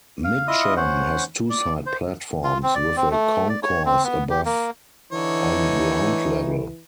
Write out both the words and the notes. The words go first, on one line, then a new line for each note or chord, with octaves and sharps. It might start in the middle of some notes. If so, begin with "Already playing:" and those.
Mitcham has two side platforms with a concourse above on ground level.
F5
E4 F4 D#5 D#6
C#4 C5 F#5
D5
C5
F4
C4
D5
C4
A3
D5
C#5
C4
B3
G4
A#3
D3 E3 D#4 C#5